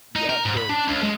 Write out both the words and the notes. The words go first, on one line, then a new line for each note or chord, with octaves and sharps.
Yeah, so,
D#4
A#4
G#2
B5
D4
C#2
G#3